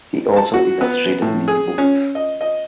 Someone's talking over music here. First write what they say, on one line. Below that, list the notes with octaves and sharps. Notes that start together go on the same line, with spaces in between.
He also illustrated many books.
A5
F#4
B3
A2
G#4
C#4
D#5
D#5